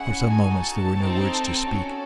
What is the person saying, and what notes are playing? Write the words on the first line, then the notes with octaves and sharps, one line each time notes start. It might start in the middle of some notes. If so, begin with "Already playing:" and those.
And for some moments there were no words to speak.
Already playing: C#4 E4 G#4 F#5
D#4 F#4 A4 G#5
A5
C4 D#4 A4
C#4 F#4 A4